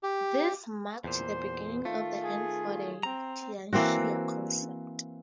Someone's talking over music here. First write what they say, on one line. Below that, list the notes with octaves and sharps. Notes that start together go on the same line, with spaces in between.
This marked the beginning of the end for the "tianxia" concept.
G4
E2 A#2 C5
D#3 A3 F4
G#4
C4 A#5
E3 A#3 C4 F#4